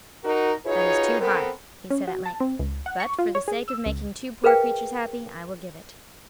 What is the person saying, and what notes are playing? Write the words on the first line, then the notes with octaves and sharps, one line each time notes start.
"That is too high," he said at length, "but for the sake of making two poor creatures happy, I will give it."
D#4 F#4 A#4
D#4 F4 F#4 G#4 B4 C#5
B3 C4 A4 A#4
C#4
F#4
A5
C4
C#2
F#5
C#6
F4
C#5
G#4
E6
C#2
G#4 A#4 B4 F5 G5